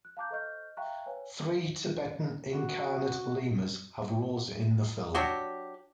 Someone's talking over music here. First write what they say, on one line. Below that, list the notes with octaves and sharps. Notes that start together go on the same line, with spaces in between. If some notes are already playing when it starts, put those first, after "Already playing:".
Three Tibetan incarnate lamas have roles in the film.
F#6
F5 A5 A#5 D6 F#6 G6
A4 C5 D#5 C#6 F6 G6
E5 F5 G5 A#5 C#6 F#6
B4 C#5 G#5
F#4
F#3 D4 F#4 G4